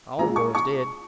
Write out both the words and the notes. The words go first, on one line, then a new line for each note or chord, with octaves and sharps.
All the boys did.
A#1 A#2 G#3 A#5
C#6
C#6